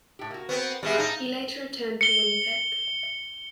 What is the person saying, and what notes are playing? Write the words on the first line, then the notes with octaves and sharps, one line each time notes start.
He later returned to Winnipeg.
A2 G4
A#3 F#4
B3 C4
G3 G#3 B3 E5
A2 D#4 F5
C#7 G7